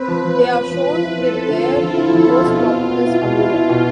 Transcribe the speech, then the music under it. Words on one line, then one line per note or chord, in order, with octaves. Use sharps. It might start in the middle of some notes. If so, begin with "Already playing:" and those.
They are shown with their most populous community.
Already playing: C4 B4
F3
F3
C4
C4
F3
F3
E4
C4 A4
C4
D3 F4
C4
F3 E4
D3
F3
C4
B2 F4
B3
B3
B3
E4
B2
E4
E4
B2